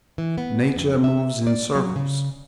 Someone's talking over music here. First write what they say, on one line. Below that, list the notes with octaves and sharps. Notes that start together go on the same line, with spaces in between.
Nature moves in circles.
E3
B3
F2
E5
D5
F#3
C#3